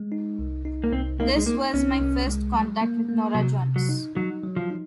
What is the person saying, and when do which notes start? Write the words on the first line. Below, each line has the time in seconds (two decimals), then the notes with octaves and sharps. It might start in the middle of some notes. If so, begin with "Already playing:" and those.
This was my first contact with Norah Jones.
Already playing: G#3
0.12 D#4
0.39 C2
0.65 D#4
0.84 A#3
0.92 C2 C4
1.20 A#3 D#4
1.37 G#3
1.46 A#3 D#4
1.74 C2 C#4
2.00 C2
2.27 G#3
2.54 F#3
2.81 A#3
3.09 A#3
3.35 C3 F#3
3.62 C3
3.76 F#3
3.89 D#4
4.15 F#3 D#4
4.43 F#3
4.56 F3
4.70 D#4